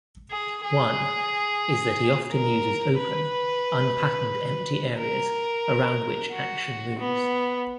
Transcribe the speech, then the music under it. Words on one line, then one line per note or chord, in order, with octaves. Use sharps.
One is that he often uses open, unpatterned empty areas around which action moves.
G#4
G#4
A#4
B4
A#4
F#4
B3